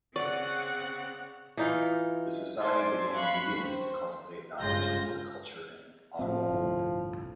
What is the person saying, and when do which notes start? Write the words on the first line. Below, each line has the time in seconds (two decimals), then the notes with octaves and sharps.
The Society began immediately to cultivate knowledge of horticulture in Ottawa.
0.16 C#3 C4 D5 F#5 C#6
1.57 E3 D#4 F4
2.59 A4 C5 D5 G#5 C6
3.15 F5 B5 C#6 F#6 B6 C7
3.53 D#2 C5
4.59 G1 C#3 G#3 F4 G6 A#6
6.19 A2 F3 C4
6.49 G1 C2 A2